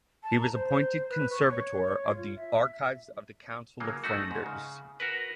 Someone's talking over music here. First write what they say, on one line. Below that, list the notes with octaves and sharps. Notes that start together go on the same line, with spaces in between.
He was appointed conservator of the archives of the Council of Flanders.
A5
A#5
C5
B4
C#6
C#5
F4
E5
C#3 F#3 A#3
A3 D#4 F#4
G#2
C#3
F#4 A#4 B4